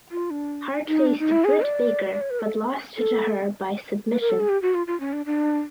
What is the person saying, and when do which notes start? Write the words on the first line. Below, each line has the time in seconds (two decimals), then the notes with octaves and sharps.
Hart faced Britt Baker but lost to her by submission.
0.11 F4
0.30 D4
0.88 D#4
1.07 D4
1.20 D#4
1.32 E4
1.45 G#4
1.64 D5
2.12 D5
2.21 C#5
2.30 B4
2.40 A4
2.97 A4
4.11 B4
4.21 A#4
4.30 A4
4.40 G#4
4.49 G4
4.62 F#4
4.74 F4
4.87 F4
5.00 C#4
5.13 D4
5.26 D4